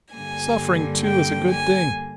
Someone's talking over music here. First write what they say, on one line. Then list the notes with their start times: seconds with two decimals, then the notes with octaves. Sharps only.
Suffering, too, is a good thing.
0.14 G2 D3 G3 A#3 G#5
1.04 G5
1.50 G#5